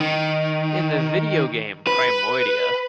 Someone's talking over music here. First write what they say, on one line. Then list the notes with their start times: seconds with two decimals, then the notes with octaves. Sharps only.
In the videogame "Primordia".
0.01 D#3
1.87 B4